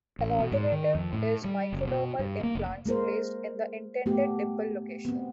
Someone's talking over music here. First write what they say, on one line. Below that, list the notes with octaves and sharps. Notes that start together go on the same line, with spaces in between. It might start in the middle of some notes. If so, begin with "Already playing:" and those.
An alternative is microdermal implants, placed in the intended dimple location.
A1
B2
G#2
D#3
F2
A2
G3
F#1
B2
G2
A#3
F1
G#3 A#3 A#4 C5
A3 B3 G4
B3 C4